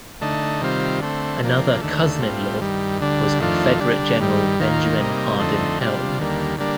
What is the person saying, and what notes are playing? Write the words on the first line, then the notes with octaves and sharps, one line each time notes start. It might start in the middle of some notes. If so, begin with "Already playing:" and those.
Another cousin-in-law was Confederate General Benjamin Hardin Helm.
D3 A3 D#4
C3 D#3 G3 C4 F4
D3 A3 C4
C3 F3 A#3 D4
D#2 D3 A3
A2 G3 C4 F4
G2 D#3 G3
D2 D3 G3 D4
F2 D#3 A3 D4 F4
D3 G3 D4
G2 D#3 G3
D#2 D#3 A#3 F4
C3 G3 A#3 D#4
F2 D3 A3 C4 D#4
C3 G3 D4 F4
D#2 D3 G3 A#3
D3 G3 A#3 D4